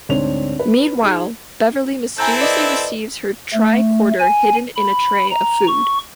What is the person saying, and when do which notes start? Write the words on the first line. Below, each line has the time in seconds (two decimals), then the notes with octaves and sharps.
Meanwhile, Beverly mysteriously receives her tricorder hidden in a tray of food.
0.09 D2 G#2 C4 D4 C#5 F7
0.59 B4
1.02 D#4 G#4 G#6
2.18 C4 E4 A4 G#5 A#5 G6
2.40 B4 D5 D#5
3.54 A3
4.20 G#5
4.76 B5
5.31 A#5
5.67 C#6